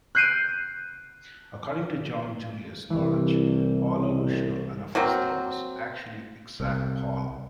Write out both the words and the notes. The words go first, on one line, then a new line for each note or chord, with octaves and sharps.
According to John Julius Norwich, Paolo Lucio Anafesto was actually Exarch Paul.
F#6 G6 C7 D7 D#7
C2 E3
F#3 A#3 C4
C2